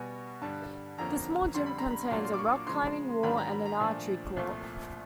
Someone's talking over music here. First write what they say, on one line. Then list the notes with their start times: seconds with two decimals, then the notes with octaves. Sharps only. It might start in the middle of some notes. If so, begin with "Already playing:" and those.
The small gym contains a rock climbing wall and an archery court.
Already playing: B2 G3 B3 G#5
0.41 G2 D3 G3 A5
0.98 F2 D3 F3 A#3 C#4 A#5
1.54 F2 D3 G3 C6
1.66 B5
1.78 A#5
1.91 B5
2.11 A#2 F#3 A#3 D4 F4 C6
2.25 C6
2.33 D6
2.39 C#6
2.53 C#6
2.67 C#3 F3 G#3 C6
3.23 G#2 D#3 F#3 B3 D4 B5
3.37 A#5
3.51 B5
3.66 A#5
3.79 A#2 F3 A3 D4 G#5
4.36 C2 A#2 F3 A3